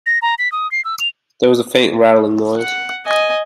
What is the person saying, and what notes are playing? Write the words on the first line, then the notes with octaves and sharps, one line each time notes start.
There was a faint rattling noise.
A#6
A#5
B6
D#6
C7
E6
F7
F#5
D#5 G#5